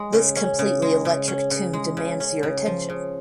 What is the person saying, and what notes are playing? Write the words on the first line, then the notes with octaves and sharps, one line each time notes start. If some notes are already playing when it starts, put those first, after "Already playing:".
This completely electric tune demands your attention!
Already playing: G#3
C#3
C#4
C#3
G#3
C#3
C#4
C#3
G#3
C#3
C#4
C#3
F3
C#3